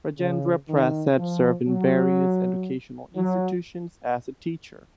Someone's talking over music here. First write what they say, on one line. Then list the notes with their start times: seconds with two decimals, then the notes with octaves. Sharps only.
Rajendra Prasad served in various educational institutions as a teacher.
0.19 C#3
0.69 D#3
1.19 F3
1.67 F#3
3.16 F#3